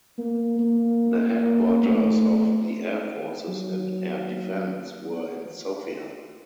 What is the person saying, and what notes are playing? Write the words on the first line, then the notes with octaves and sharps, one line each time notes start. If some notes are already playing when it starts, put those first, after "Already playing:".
The headquarters of the Air Forces and Air Defence were in Sofia.
A#3
A#3
A#3
A3
F#3